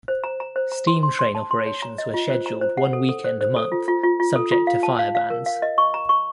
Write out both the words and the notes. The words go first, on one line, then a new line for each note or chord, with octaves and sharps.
Steam train operations were scheduled one weekend a month subject to fire bans.
C5
A#5
A#5
C5
A#5
C6
C6
C6
A5
C6
C#5
A#5
D#5
F4
C5
A#5
C5
F#5
A4
A4
C5
C5
A4
F4
F4
F4
F4
A4
F4
F5
A5
F5
F5
A#4
F5
D#5
C#6
A#5
C#6